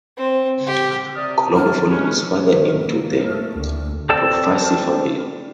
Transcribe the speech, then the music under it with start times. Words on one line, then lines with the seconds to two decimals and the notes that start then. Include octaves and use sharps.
Colombo followed his father into the Profaci family.
0.17 C4
0.66 G4
1.15 C3 D5 D#6
1.56 B4 C#5 A5 F6
1.89 G#3 C#4 B4
2.52 D#3
2.83 A#3
3.29 A3
3.58 D2
4.09 C4 A4 D5 A5 E6